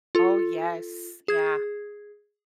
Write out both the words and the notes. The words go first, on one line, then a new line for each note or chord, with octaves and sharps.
Oh, yes, yeah.
F4 A4
G#4 G#6